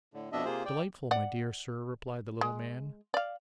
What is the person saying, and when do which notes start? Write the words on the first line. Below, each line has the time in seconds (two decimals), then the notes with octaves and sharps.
'Delightful, my dear Sir,' replied the little man.
0.14 A2 D3
0.32 F2 B2 B3 D4 D#5 E5
0.45 C3 A#3 F4 G#4 C5
0.65 D5 G5
1.11 D5 F#5
2.41 G#3
3.14 D5 F5